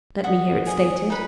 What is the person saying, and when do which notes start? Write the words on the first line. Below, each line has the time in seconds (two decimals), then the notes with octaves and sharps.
Let me hear it stated.
0.24 F#4 D#5
0.66 G#4 D#5
1.10 D#4 B4